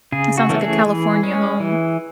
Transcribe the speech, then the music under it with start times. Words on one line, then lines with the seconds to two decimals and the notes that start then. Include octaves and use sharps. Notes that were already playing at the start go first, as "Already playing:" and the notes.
It sounds like a California home.
0.12 C#3 G#4
0.38 F#4
0.49 E3 A3 C#4
0.61 G#4
0.86 E3
1.23 G#3 C#4
1.60 E3